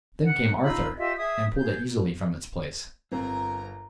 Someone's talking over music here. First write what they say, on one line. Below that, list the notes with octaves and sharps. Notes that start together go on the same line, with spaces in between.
Then came Arthur, and pulled it easily from its place.
F#5
D#4 F4 B5 E6
F4 G4 D#5 E5
G#4 E5 D#6
G#4 G6
G1 C4 A#4 A#5